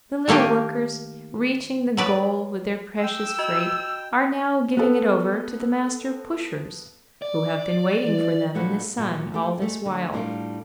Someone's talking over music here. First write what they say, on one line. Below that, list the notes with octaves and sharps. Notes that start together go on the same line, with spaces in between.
The little workers, reaching the goal with their precious freight, are now giving it over to the Master Pushers, who have been waiting for them in the sun all this while.
D#3 A3 A#3 D#4 G4
F#3 B4 D5
G5 E6
F#4 D#5
B3 A4
D5
E3
A#2 A3 D4 F#4 B4
A#2 F#3
A3 G4
G#3 A3
D3
A2 G3 D4 D#4 F4 A#4